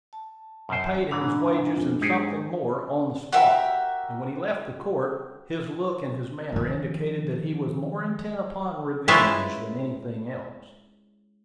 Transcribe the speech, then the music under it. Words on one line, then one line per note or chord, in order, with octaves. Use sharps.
I paid him his wages, and something more, on the spot; and when he left the court, his look and his manner indicated that he was more intent upon revenge than anything else.
A5
F#2 C5
G#2 E3 D4
F2
G#2 D#4 G4 G#4
F#4 G4 A#4 E5
D#3 F3
G#3 C#4 E4 F4 B4